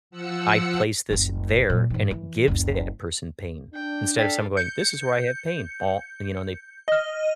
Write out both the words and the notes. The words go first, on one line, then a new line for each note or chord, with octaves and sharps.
I place this there, and it gives that person pain. Instead of someone going, this is where I have pain, and, you know, and they
F3 F#5 E6 C#7
F#1 C#2
A#2 F#3
G#2 E3
E3
F#1 D2
D4 G5
A4 D5 F5 G5 B6
G6 C#7
D#5 F6